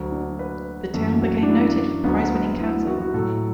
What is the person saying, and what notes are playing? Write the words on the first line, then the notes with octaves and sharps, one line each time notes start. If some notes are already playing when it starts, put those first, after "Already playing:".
The town became noted for prize-winning cattle.
Already playing: D2 D3 F#3
D4
B4
F#2 E3 A4
F#4
D4
E4
D2 D3 F#3 B3
B3
E4
F#4
E4
F#4
A2 F#3 A4